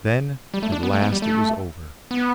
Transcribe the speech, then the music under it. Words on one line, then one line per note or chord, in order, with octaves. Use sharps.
Then at last it was over.
G3
A3
D4
B3
A3
B3
G3
A3
B3